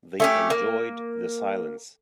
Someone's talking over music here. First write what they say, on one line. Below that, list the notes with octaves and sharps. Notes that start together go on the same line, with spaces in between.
They enjoyed the silence.
A3 C#4 G4
A#3